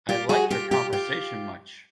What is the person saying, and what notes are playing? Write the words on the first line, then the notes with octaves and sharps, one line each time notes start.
I like your conversation much.
F4 G4
F#4 G#4
F4 G4
F4 G4
F4 G4